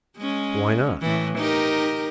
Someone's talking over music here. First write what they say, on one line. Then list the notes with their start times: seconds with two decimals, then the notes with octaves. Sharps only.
"Why not?"
0.18 G#3 C#4
1.01 A2 E3
1.38 D#4 G4 A#4